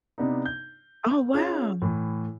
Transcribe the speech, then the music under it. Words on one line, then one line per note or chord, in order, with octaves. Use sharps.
Oh, wow.
C3 B3 D4 D#4
G6
C#4 F4 G#4
A2 E3